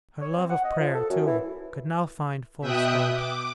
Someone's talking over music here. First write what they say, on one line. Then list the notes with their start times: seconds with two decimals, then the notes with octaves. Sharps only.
Her love of prayer, too, could now find full scope.
0.22 C#5
0.37 C4
0.50 F#5
0.64 D#5
0.80 F3
0.94 A4
1.10 F#2
1.27 E3
2.60 B2 E5 G5 D#6 F#6
3.14 D6